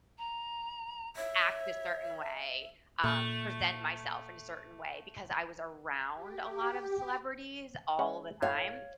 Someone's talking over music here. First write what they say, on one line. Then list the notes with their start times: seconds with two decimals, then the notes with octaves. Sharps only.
act a certain way, um, present myself in a certain way, because I was around a lot of celebrities all the time,
0.18 A#5
1.16 C#5 E5
3.04 A#2 A3
6.14 G4
7.99 G#3 C#4 F#5
8.42 A2 C#5 F5